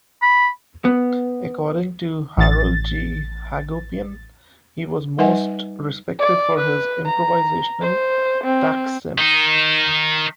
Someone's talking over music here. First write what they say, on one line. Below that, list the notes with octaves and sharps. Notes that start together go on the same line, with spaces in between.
According to Harold G. Hagopian, he was most respected for his improvisational "taksim".
B5
B3
A1 A6
G3 D#4 B4 D#5 F#5 G#5
D5
B4
A#5
C5
C4
D#3 D#4